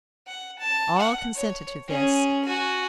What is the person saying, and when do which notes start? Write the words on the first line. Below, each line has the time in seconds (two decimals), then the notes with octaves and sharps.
All consented to this.
0.27 F#5
0.59 A5
0.98 F#5
1.34 C#5
1.87 C#4 G#4
2.45 F#4 G#5